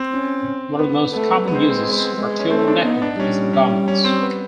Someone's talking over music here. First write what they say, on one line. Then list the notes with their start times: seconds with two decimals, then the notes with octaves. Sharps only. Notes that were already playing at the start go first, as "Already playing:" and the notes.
One of the most common uses for tulle netting is in garments.
Already playing: C4
0.12 C#4
0.79 B3
1.13 A3 B3
1.31 B3
1.48 G#3 B3
1.55 C4
1.62 B3
1.69 C4
1.77 B3
1.84 C4
1.91 B3
1.98 C4
2.05 B3
2.16 G#3
2.40 C#4
2.50 A3 C4
2.68 D4
2.85 B3 D#4
3.02 D4
3.19 G3 C#4
3.53 C#4
3.88 C#4
4.04 C4
4.22 B3